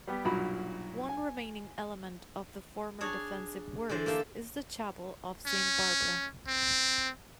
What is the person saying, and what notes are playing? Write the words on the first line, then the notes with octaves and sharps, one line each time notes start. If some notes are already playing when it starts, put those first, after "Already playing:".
One remaining element of the former defensive works is the Chapel of Saint Barbara.
G3 B3 G4
B1 G2 A#2 F#4 B5
G#5
D4 G#4 C#5
D3 E3 C5 D5
A#3 G4 E5 A5
C#4
C4